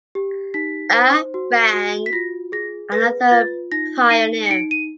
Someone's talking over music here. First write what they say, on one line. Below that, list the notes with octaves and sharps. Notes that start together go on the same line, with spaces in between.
A. Rand, another pioneer.
G4
D#4 B6
C5
F#4
F#4
B6
F4 A#6
G#4 A#6
B4 A#6
F4 A6
D#4 A#6
D#4 D#7
C#7
D#4 D7
D#7